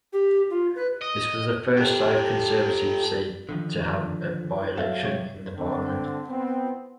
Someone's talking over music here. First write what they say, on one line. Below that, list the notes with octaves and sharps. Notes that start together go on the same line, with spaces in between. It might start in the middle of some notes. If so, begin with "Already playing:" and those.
This was the first safe Conservative seat to have a by-election in the Parliament.
G4
F4
B4
D#5
G4 A4
D3 D#3 F3
F#3 A4 E5 F5
C3 C#5
D3 C4
B3 C4